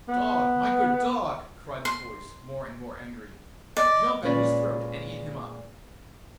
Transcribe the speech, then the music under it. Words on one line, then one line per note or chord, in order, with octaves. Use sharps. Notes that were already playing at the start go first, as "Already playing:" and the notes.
'Dog, my good dog,' cried the voice, more and more angry, 'jump at his throat and eat him up.'
B3
C6
D5 D#5
A#2 G#3 C#4 B4 D5